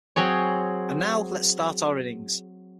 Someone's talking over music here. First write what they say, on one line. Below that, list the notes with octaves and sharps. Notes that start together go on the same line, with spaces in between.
And now let's start our innings.
F#3 C4 G#4 C#5